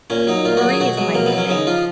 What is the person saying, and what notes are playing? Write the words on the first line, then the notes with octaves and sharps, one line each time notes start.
Marie is my new maid.
A#2 C#4
F#3 D#4
A#2 F4
F#4
F#3
G#4
B2 F#4
F#3 G#3
B2 A#3
B3
F#3
C#4
C#3 D#4
F3 F4